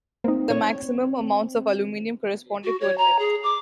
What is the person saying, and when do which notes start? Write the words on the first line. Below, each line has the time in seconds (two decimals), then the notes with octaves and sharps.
The maximum amounts of aluminium correspond to a depth.
0.24 A#3 C4 D#4
0.50 C#5
2.64 F#4
2.81 C#5
2.98 A#5
3.19 G#4
3.43 D6